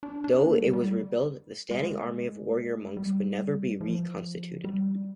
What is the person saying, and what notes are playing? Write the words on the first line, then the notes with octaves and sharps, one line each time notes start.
Though it was rebuilt, the standing army of warrior monks would never be reconstituted.
D4
D4
A#3
G3
G3
G#3
G3
F3
G3